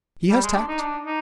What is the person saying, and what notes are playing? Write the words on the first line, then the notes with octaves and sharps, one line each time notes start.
He has tact.
G3
G#3
D4
D#4
D4
D#4